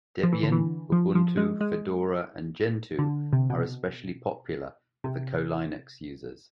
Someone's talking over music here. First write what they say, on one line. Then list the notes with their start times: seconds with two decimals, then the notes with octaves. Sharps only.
Debian, Ubuntu, Fedora and Gentoo are especially popular with the coLinux users.
0.23 F3
0.33 E3
0.43 D3
0.52 E3
0.92 F3
1.15 F3
1.37 G#3
1.61 G#3
2.99 D3
3.33 C3
3.50 B2
5.04 C3